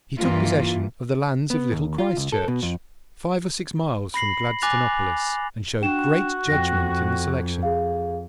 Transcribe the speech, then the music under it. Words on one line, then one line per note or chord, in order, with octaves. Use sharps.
He took possession of the lands of Little Christchurch, five or six miles from Gladstonopolis, and showed great judgment in the selection.
G2 E3 A#3 F4
B3
D#2
F4
C#2
A4
B2
F2
B5 A#6 C7 F#7
G#5 D6 F#6 A6 A#6 F7
D4 F#4 G5 E7
F2 G5 F#6 A#6
G#4 F5